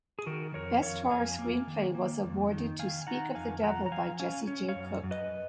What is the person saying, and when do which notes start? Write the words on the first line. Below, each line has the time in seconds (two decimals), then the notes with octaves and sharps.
Best Horror Screenplay was awarded to "Speak of the Devil" by Jesse J. Cook.
0.19 G#4
0.26 D#3 F#4 A#4
0.54 F2 A#4 C#5
0.82 F2 C#5 F5
1.10 F2 F5 G#5
1.39 A#3
1.67 D#3
1.95 A#3
2.23 F2
2.51 D#3
2.79 D#3 F5 G#5
3.07 D#3 F#5 A#5
3.35 F2 F5 G#5
3.63 F3 F#5 A#5
3.86 A#5
3.91 F3 F5 G#5
4.19 C#4 F5 G#5
4.47 C#4
4.69 C#5 F5
4.75 F#2
5.04 F#2
5.11 B4 D#5